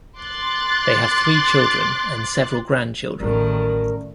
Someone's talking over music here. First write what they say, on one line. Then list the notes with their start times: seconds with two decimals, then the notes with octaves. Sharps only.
They have three children and several grandchildren.
0.18 C6 D6 F#6 A6
3.20 A1 A2 D#3 F#3 C#4 A#4 D5